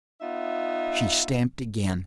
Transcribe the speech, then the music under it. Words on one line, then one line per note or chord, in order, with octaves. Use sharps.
She stamped again.
B3 D#4 F4 E5